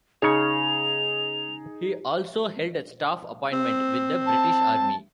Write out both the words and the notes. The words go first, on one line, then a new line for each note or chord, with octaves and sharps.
He also held a staff appointment with the British Army.
C#3 D#4 G#4 C#5 F7
C4
A5